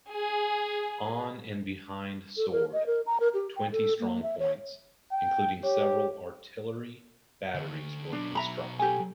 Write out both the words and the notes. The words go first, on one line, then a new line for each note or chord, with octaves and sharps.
On and behind Sword, twenty strongpoints, including several artillery batteries, were constructed.
G#4
A4
A#4
D#5
A#4
A#5
A#4
G4
G5
A4
A#3
E5
C#5
G5
G4 C#5
D2
B2 F#3 D4
E5 A#5 B5
G4 A4 G#5